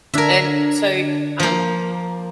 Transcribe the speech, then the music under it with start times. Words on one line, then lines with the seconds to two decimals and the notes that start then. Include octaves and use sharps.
And so, um,
0.14 D3 D4 A#4 E5 G#6
1.40 F3 A#3